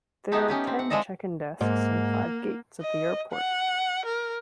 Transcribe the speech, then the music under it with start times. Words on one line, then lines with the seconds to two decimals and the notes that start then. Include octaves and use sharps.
There are ten check-in desks and five gates at the airport.
0.32 A3 B3 D#4 G4 A4
0.48 C#4 G4 B4
0.67 C4
0.79 F#5
0.90 F3 G#3 E4 A4 D5 D#5
1.61 G#2 A#3
2.81 D#5
3.33 F#5
4.05 A#4